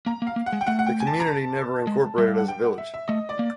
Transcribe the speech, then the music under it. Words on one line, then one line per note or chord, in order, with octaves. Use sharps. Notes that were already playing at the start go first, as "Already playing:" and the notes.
The community never incorporated as a village.
A#3 A#5
A#3
F5
A#3
F#5
G#3
G5
A3 F#5
F#5
G5
G#5
A5
A#5
A5
G#3
G3 E5
F5
F#5
G5
F#5
E5
E5
A3 D#5
D5
A#3